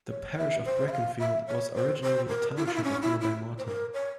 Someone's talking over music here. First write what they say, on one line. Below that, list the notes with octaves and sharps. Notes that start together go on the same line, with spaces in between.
The parish of Brackenfield was originally a township of nearby Morton.
C#5
C#5
E5
C5
E5
F5
E5
C#5
C5
C5
A#4
E4
F4
E4
C#4
E4
E4
C5
A#4
C#5